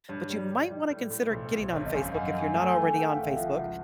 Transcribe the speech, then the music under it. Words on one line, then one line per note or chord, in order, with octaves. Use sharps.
but you might want to consider getting on Facebook if you're not already on Facebook,
G2 C#5
C#5
G3
D5
G3
G3
A2
A2
B1 C5
B1
C5
G#1 C#5
D#5
F#2
F5
F#2 F#5
F5
F#2
G#5
A3 G#5
G#5
E3
G5
A3 F#5
F5
G#1
E5
F3 F#5
C#2